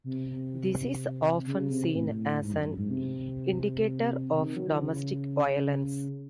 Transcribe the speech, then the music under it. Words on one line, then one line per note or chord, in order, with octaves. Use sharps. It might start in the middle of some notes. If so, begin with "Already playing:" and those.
This is often seen as an indicator of domestic violence.
C3
C3
C#3
C3
A2
G#2
F#2
F#2
G#2
C3
C3
D#3
F#3
E3
C#3